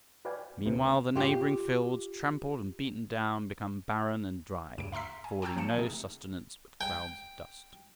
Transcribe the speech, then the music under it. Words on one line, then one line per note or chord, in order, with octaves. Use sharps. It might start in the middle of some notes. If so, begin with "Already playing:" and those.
Meanwhile the neighbouring fields, trampled and beaten down, become barren and dry, affording no sustenance but clouds of dust.
F#4 B4 D5 F5 G5 G#5
D2 C3 B3
F4 G4
D2 G2 C#3 D7
E5 A#5 C6 E6 B6
G#5
G5 A5 A#5 C#6 E6 G6
F3 F#3 A#3 A5 C#7 E7
C3 A3 C4 D#4 G#4
G5